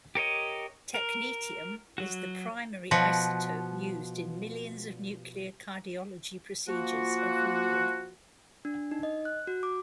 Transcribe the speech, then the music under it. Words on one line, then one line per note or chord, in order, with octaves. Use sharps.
Technetium is the primary isotope used in millions of nuclear cardiology procedures every year.
G4 A#4 C#5 D#5
A#4
F#3 F#4
B2 F3 F#4
F3 A#3 F4 F#4
D4
D#4
D#5
F#6
F#4
D6